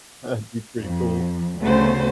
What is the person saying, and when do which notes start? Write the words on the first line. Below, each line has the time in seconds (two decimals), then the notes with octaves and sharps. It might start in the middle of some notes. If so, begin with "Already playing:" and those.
That'd be pretty cool.
0.82 F2
1.61 D2 C#3 A3 B3 F#4 C5